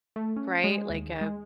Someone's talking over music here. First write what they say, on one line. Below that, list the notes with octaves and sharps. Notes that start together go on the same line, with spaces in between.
Right, like a
A3
C#4
G#3
D#2
G#3